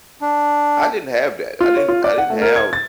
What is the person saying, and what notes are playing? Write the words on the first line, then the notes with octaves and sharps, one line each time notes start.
I didn't have that I didn't I didn't have
D4
F4
C#5
F4
D5
F#5
A3
A#4
G#6
A6